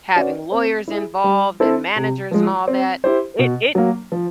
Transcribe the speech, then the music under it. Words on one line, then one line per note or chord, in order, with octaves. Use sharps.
having lawyers involved and managers and all that, it it
C#4 F#4 B4 D5
C4
E4 G#4
G3
C4 E4 A4 C5
C3
F3 G#3
C4
E4 G4 C5
B2
F#3 A#3
F3